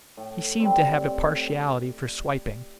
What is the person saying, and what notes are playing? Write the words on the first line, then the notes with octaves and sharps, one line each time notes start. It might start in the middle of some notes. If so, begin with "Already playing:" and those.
He seemed to have a partiality for swiping.
A2
G3 C4
A2